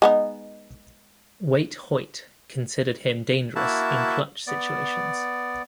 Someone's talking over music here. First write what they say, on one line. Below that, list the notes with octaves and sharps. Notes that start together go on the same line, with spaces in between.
Waite Hoyt considered him dangerous in clutch situations.
G#3 B3 D#4
A#3 E4 F#4 E5 A5
B3 D5